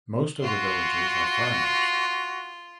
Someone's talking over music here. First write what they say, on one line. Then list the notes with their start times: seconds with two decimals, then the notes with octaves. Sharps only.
Most of the villagers are farmers.
0.41 F4 F#4 C6